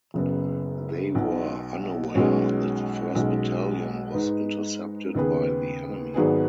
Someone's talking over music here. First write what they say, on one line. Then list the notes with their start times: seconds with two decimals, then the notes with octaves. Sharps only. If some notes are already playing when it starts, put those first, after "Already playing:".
They were unaware that the first battalion was intercepted by the enemy.
0.14 F#1 F#2 C#3 B3
1.15 B1 B2 F#3
2.15 B1 B2 G#3 C#4
3.15 B1 B2 G#3 C#4
4.14 G#2 G#3 D#4 B4
5.15 D#2 C#3 B3 G#4 B4
6.14 G#1 G#2 F#3 B3 G#4